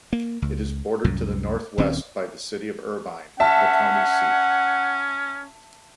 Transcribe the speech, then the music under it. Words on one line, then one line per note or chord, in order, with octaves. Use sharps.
It is bordered to the northwest by the city of Irvine, the county seat.
A#3
C#2
C2 F#2 A2
D#1 D#2 C4 C#4
C#4 E5 F#5 A5